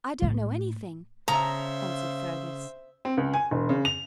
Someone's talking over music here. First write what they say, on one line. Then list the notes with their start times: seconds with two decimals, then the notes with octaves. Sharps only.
"I don't know anything," answered Fergus.
0.22 A2 A3
1.28 C#3 C5 E5 A#5
3.05 C4
3.17 C#2
3.34 G#5
3.51 E1
3.69 C#3
3.85 F7